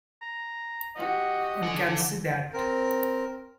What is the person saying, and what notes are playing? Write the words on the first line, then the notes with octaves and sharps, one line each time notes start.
One can see that.
A#5
F#4 G4 D#5
D3 F#5 G#5
C4 A#4